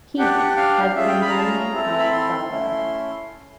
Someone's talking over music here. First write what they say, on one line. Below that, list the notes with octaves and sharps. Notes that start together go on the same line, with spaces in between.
He has been blaming our father.
D4 G4 F#5
F5
C#4 F4 G#4 E5
G5
B5
A#5
A5
A#5
C4 E4 A4
B5
C6
A3 C#4 E4